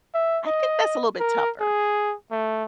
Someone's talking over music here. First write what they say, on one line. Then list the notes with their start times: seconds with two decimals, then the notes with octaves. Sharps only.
I think that's a little bit tougher,
0.14 E5
0.46 D#5
1.19 A#4
1.60 G#4
2.30 A3